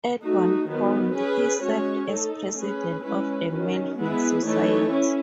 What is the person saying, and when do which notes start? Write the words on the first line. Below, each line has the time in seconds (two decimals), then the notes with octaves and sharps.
At one point, he served as president of the Melville Society.
0.21 A3 D#4 F#4
0.68 D#3 F#3 B3
1.15 C#4 G#4 B4
1.62 G#3 C#4 F#4 C#5
2.09 A3 D#4 A4
2.57 C#4 G#4 B4
3.04 G#3 C#4 E4 B4
3.50 D#3 F#3 C#4
3.97 G#3 B3 E4 G#4 B4
4.44 E3 A3 D#4 A4 C#5
4.91 C#4 E4